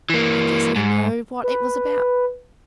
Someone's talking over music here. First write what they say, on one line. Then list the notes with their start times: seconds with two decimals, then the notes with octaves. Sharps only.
'I guess I know what it was about.'
0.10 E3 A#3
0.76 G#2
1.43 B4